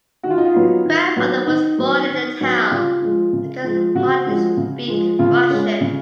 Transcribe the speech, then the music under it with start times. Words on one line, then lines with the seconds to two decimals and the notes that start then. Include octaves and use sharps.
Grandmother was born in the town and could hardly speak Russian.
0.23 D#3 F#4
0.30 F4
0.38 D#4
0.45 F4
0.54 F#3 B3 D#4
0.85 D#3
1.16 F#3 B3 D#4
1.47 D#3 D#4
1.78 F#3 B3 D#4
2.09 D#3
2.40 F#3 B3 D#4
2.71 C#3 F4
3.02 F3 G#3
3.33 C#3
3.64 F3 G#3
3.95 C#3 F#4
4.26 F3 G#3
4.57 C#3
4.88 F3 G#3
5.19 C#3 F4
5.51 G#3 C#4
5.81 C#3